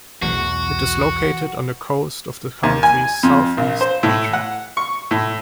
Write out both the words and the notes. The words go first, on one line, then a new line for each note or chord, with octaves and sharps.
It is located on the coast of the country's Southeast region.
B1 E2 F#4
D#2
G#5
F2
A#1
C5
A2
F#5
C#6
A2